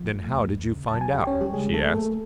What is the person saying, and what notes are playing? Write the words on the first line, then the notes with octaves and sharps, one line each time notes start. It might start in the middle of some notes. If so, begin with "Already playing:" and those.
"Then how did you find out?" she asked.
Already playing: F3
A3
D#2
D#2
C#3
A5
F#3
G#5
D#2 G4 G5
C#4 C#5
D#2
G3 G4
C#3 G#3 G#4
F#3 A3 A4
G#4
A3 A#3 A4